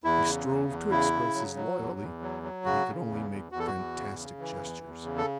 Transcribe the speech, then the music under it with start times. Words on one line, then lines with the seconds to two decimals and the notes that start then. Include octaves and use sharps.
He strove to express his loyalty, but he could only make fantastic gestures.
0.04 E2 E4
0.25 C#3
0.48 E2
0.69 E2
0.90 C#3 E4
1.13 C#3
1.35 F#3
1.56 F#3
1.78 E2
1.99 E2
2.22 F#3
2.43 F#3
2.65 C#3 F#4
2.87 C#3
3.08 E2
3.31 E2
3.52 E2 F#4
3.59 A4
3.66 F#4
3.74 E2
3.96 C#3
4.17 C#3
4.39 E3
4.61 E2
4.83 E2
5.05 C#3
5.18 A4